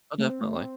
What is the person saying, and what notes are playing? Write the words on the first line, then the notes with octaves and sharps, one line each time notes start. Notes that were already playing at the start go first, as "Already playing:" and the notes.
Oh, definitely.
A3
C4
A3
C4